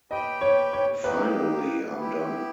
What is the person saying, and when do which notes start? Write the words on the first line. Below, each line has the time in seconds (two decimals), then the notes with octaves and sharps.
Finally, I'm done!
0.11 G4 B4 D#5 G5
0.41 C#5
0.73 C#5
1.03 A#3 D#4 G4 B4
1.96 B3 E4 G4